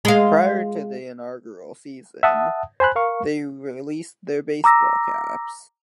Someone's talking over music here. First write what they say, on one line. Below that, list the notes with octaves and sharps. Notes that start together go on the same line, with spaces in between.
Prior to their inaugural season, they released their baseball caps.
G#3 F4
E5 F#5 A5 D#6
C5 G#5 B5 F#6
A#4 F5 C#6
A#5 D6 E6 A#6